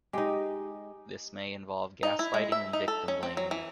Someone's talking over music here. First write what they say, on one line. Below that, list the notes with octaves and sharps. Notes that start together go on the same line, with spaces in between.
This may involve gaslighting and victim blaming.
G#3 D#4 G4
D#4
E4
G#3
E5
D#4
A4
C#4
C4
F#3
E3